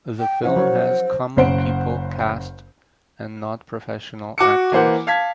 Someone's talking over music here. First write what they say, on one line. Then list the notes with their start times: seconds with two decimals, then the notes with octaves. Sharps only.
The film has common people cast and not professional actors.
0.20 G5
0.43 F3 C#4 E4 C5 F#5
0.56 F#3 A#4 C#5
1.36 F#1 C#3 C5 F#5 D7
4.38 F#4 D6 C#7
4.72 E3 A#3 C5 F#5
5.07 F5 A5 G#6 B6